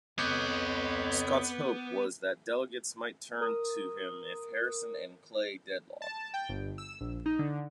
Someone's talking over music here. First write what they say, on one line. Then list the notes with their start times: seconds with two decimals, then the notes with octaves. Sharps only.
Scott's hope was that delegates might turn to him if Harrison and Clay deadlocked.
0.19 F2 B3 C#5 D#5 D6 F#6 G6
3.41 A#4 D#6
6.02 A5
6.34 G5
6.49 G1
6.78 E6
7.01 A#1
7.26 D#4
7.39 D3